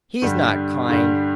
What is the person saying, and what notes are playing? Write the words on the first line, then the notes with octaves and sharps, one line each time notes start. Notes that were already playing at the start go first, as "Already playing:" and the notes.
He's not kind.
G2 D3 G3
G2 D3 G3